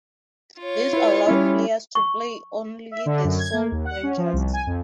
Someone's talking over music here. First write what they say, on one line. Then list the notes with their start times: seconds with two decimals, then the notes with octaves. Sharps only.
This allowed players to play only as The Soul Rangers.
0.59 F4 C#5
0.93 E4 B4
1.27 G3 C#4 E4
1.95 C#6
2.91 E5
3.06 D3
3.24 F#2
3.39 G#6
3.54 A#3
3.72 D#2
3.85 F#5
4.03 C#4
4.18 F3
4.33 C2
4.53 G#5
4.67 F2